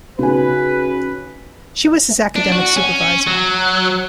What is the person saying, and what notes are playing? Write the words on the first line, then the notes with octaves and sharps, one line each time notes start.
She was his academic supervisor.
C#3 D#4 F#4 B4 G#5
D4
F#4
C#4
F#3